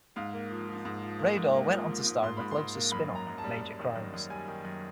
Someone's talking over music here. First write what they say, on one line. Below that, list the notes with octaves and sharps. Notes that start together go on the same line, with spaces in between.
Raydor went on to star in "The Closer"s spin-off, "Major Crimes".
G#2 F5
A#3
F3
F3
G#2
F3
A#3
G#2
A#3
F3
F3
G#2
G#2 C6
G#2 B5
C6
G#2
A#3
F#2 B5
F#2
A#5
F#2
A5
G3
G3
D#3
F#2
F#2
G3 G#5
D#3
F#2